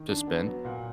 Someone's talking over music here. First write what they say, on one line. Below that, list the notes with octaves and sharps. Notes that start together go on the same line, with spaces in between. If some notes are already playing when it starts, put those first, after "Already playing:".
to spend.
Already playing: D#3
D4
B3
F#3
A#2 F#5